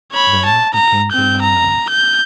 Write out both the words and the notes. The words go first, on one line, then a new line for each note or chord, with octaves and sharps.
Then, he came to Lyon.
C#5 B5
A5
A#5
C4 G6
A#5
G6